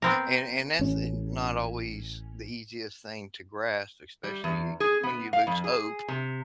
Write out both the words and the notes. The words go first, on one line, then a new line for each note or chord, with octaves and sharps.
And and that's, uh, not always the easiest thing to grasp, especially when you lose hope,
B3 C4 A#4
A1 C#4
G3
E2
G#4
B3
F5
F2
G#4
C3